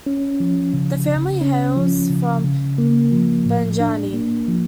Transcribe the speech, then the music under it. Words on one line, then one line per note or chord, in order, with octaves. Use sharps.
The family hails from Banjani.
C#4
F3
C#3
C#3
C#4
F3
C#3
C#3
A#3
F3
A2
D4
A#3
F3